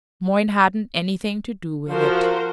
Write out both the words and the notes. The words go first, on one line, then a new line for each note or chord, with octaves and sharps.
Moyne hadn't anything to do with it.
F3 F#4 A#4 C5